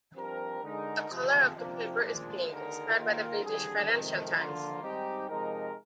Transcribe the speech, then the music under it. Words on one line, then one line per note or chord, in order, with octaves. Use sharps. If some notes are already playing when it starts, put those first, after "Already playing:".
The color of the paper is pink, inspired by the British "Financial Times".
G2 F3 C4 G4 A#4
D3 G#3 D#4 A#4
F2 C3 F3 G#3
C3 F3 A#3 D4
A#2 F3 G#3 D4
D#2 D3 G#3 D#4 A#4
D#3 A#3 F4 A#4
F2 D3 G3 D4 G#4
F2 C3 D#3 G#3
D3 F3 A#3 F4
G#2 G3 C4 D#4 G4
C3 F3 G#3 D#4 A#4